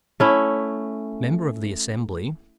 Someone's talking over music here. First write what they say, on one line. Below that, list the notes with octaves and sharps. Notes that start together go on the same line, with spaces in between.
Member of the Assembly.
A3 C#4 E4